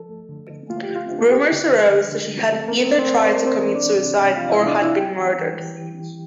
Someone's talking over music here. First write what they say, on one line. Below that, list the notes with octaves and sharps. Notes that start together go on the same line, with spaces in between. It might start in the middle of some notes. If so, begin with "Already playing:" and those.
Rumors arose that she had either tried to commit suicide or had been murdered.
Already playing: F3 A4
A3
D3
D3
A3 F4
G4
A3
F4
D4
A4
A#3 G4
D3
F3
D3
D3
F3
A3 C4 A4
A#3 C4 A#4
C4 C5
A3 C4 C5
C4 D5
C5
C4 A#4
C4 C5
E3
C4 D4 D5
C3
C3
F3 F4 F5
C3 E4 E5
D4 D5
C4
E4 E5
G3 G4 G5
E3
E3
E3
E3
E3